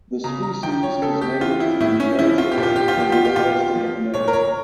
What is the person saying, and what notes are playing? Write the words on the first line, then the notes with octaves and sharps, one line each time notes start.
The species is native to Eurasia and Northwestern America.
C#3 A#5
A#5
F3 G5
C#5
C#3 A4
G4
E3 F4
E4
A2 E4
C#4
F3 E4
F4
G4
A#2
F4
G4
F4
F3 G4
F4
G4
A#2 F4
F3
A#2 C#5
A#4
C#5